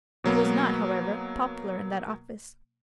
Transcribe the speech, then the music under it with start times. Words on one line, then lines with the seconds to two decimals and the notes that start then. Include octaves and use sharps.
He was not, however, popular in that office.
0.24 B2 F#3 A#3 B3